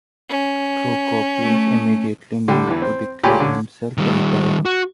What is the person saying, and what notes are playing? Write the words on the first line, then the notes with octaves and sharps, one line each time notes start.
Procopius immediately moved to declare himself Emperor.
C#4
A3
D3 G3 G5
E2 E3
C4
C#2 A#2 G4 G#5 A#5 B5
D3 C#4
D#3 G3
F#4